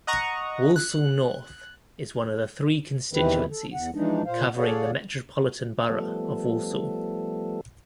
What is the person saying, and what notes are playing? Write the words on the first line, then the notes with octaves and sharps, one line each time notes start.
Walsall North is one of three constituencies covering the Metropolitan Borough of Walsall.
D#5 F#5 A#5 C#6 D#6
F#6
E2 C3 D#3 E3 C4 B4
A4
E2 F#5
E3 F3 G#3 D4 D#4
A#2 C5 F5
G#4 A4 C#5 D5 F5 F#5
F3 G3 A3 B3 A4